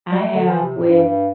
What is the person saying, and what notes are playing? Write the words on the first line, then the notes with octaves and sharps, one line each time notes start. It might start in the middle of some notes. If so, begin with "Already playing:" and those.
I have with
G3
A3
D3
E3
C3
A2
G2
G2